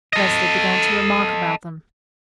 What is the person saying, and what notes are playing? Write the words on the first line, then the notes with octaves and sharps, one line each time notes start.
Leslie began to remark about them.
A4 D#5